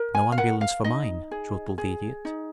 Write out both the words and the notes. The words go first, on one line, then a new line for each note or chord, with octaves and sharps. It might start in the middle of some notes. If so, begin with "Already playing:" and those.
"No ambulance for mine," chortled the Idiot.
Already playing: A#4
G#5
F5
A#4 F#5
F5
D#4 D#5
G#4
G#4
D#4